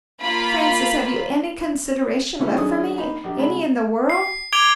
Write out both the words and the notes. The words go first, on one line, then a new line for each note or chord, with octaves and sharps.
"Francis, have you any consideration left for me--any in the world?"
A#3 F4 B5
D3 G3 A3 C#4 D4 E4
D#3 F#3 C#4 D4 G#4 D#6
A#3 D#4 B5
A#1 G4
C3 G3 G#3 B5
C7
D6 G#6 D7 F7 G7